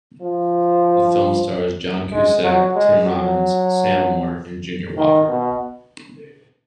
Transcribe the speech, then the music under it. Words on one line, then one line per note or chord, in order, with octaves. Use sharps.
The film stars John Cusack, Tim Robbins, Sam Moore and Junior Walker.
F3
G#3
F#3
G#3
F#3
D#3
B2